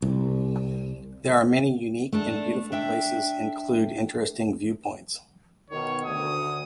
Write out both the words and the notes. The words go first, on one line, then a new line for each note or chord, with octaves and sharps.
There are many unique and beautiful places include interesting viewpoints.
C2
A3 D4 A4
D4 E5 G5
B2 D#3 C#5
D2 D#6